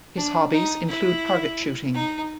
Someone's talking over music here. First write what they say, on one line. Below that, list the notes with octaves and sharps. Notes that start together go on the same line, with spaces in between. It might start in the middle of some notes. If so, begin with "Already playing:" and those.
His hobbies include target shooting.
D4
D#4
E4
D#4